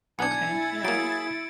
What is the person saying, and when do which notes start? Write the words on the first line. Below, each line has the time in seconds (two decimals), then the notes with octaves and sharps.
Okay, yeah.
0.19 B1 D4 E4 G#5 G#6 A6 C#7
0.84 F#3 A#3 G#4 D7